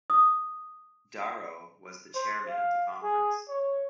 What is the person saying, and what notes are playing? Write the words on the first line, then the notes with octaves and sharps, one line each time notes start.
Darrow was chairman of the conference.
D#6
C5
F5
G#4
C#5